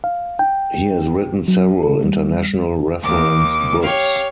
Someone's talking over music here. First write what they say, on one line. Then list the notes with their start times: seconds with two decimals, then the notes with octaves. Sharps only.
He has written several international reference books.
0.04 F5
0.39 G5
1.48 F#3
1.83 A4
2.04 G3
3.02 D#2 D6
3.82 G4 C#5 F5